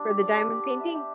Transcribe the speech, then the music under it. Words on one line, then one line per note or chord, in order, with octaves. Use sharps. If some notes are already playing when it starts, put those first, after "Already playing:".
for the diamond painting?
Already playing: G3 B3 D4
G4
D5
D4
G4
B3
E5
G4